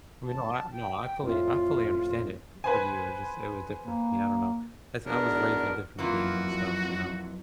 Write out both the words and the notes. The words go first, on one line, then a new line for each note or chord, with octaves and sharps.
I mean, no, I no, I fully I fully understand it f for you, it just it was different, yeah, I don't know, that's I was raised with different games and stuff, you know?
A5
G5
F2 A2 F4
B4 C5 G#5
A#3
E2 B2 B3 D4 A#4
F2 E3 F#3 A#3 F4 F#4